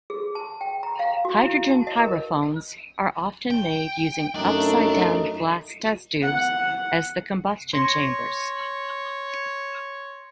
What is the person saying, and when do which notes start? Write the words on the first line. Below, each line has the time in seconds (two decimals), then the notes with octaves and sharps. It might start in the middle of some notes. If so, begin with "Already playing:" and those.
Hydrogen pyrophones are often made using upside-down glass test tubes as the combustion chambers.
0.10 G#4
0.35 A5
0.61 G5
0.83 A#5
0.99 F5
1.25 F#4
1.43 E4
1.71 A5
1.87 D#5
2.00 A#4
3.51 G5
4.35 F#2 A3 D4 D#4
6.22 F#5
7.73 C#5 C6 A#6 C#7